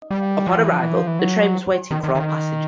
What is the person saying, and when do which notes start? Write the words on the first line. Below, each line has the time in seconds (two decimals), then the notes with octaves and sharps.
Upon arrival, the train was waiting for all passengers.
0.11 G3
0.47 F3
0.59 E3
0.71 F3
0.82 E3
0.95 F3
1.07 E3
1.19 F#3
1.91 D#3
2.04 D#3
2.15 D#3